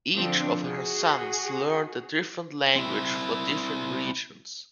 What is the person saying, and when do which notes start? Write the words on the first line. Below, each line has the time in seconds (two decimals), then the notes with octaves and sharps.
Each of her sons learned a different language for different regions.
0.15 D3 F3 C4 D4
0.61 F#4 G#4
2.76 C4 E4